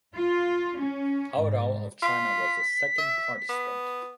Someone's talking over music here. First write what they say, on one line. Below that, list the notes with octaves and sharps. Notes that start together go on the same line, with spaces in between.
Hao Rao of China was the second participant.
F4
C#4
G#2
F4 B6
E5
B3